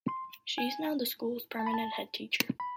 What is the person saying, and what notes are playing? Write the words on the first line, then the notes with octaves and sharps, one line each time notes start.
She is now the school's permanent headteacher.
C6
G#5
A5
B5
A5
B5